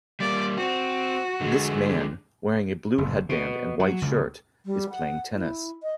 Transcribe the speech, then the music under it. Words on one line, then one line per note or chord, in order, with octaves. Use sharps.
This man, wearing a blue headband and white shirt, is playing tennis.
G3 A#3 D5
C4 F#4
D3 G#3
F#1
B2
F#3
C#2
G3
F#5
E4
D#5